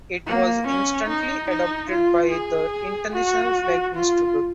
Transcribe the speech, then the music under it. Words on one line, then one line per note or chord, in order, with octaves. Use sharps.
It was instantly adopted by the international Flag Institute.
A#3
C#4
D#4
D#4
F4
G#4
F#4
F4